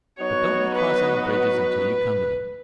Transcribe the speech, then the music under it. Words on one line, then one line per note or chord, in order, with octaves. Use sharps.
But don't you cross any bridges until you come to them.
F#3 B3 D#4 F#4 C#5
B4
B4